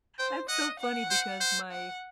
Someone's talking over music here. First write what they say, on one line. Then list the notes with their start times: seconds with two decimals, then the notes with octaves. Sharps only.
That's so funny because my,
0.19 C5 G5
0.49 D#5 F#5
0.80 F#5
1.10 C5
1.41 C5
1.71 F#5